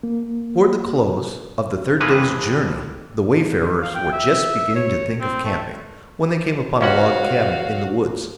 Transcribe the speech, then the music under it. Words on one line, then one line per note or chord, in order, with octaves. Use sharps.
Toward the close of the third day's journey the wayfarers were just beginning to think of camping, when they came upon a log cabin in the woods.
A#3
F2 C3 E3 G#3 A#3 B4
F5
G5
E5
C#5
C4
A3
C#2 C#4 F#4 F5 F#5